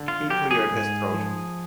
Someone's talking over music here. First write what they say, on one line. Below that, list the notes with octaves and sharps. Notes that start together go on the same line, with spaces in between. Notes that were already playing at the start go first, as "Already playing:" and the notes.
He cleared his throat.
Already playing: D3
F4
F#3 G4
G#4
G#2
F3